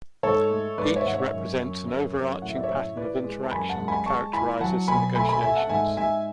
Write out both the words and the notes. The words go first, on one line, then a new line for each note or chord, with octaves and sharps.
Each represents an overarching pattern of interaction that characterizes the negotiations.
G#2 A4 C#5
A3
G#2 B4 D5
C#5 E5
G#2 F#5
C#5 E5
F#2
F#2
F#2
F#2
A2 F#5
E5
D5
C#5 E5
A2
E3 B4 D5
G#3
A5
F#2 G#5 B5
F#5 A5
G#3
G#5 B5
G#3 A5 C#6
E3 G#5 B5
F#3 F#5 A5
B2 G#5 B5
A3 G#5 B5
G#5 B5
A3 E5 G#5
F#5 A5
G#2 E5 G#5
G#2 E5 G#5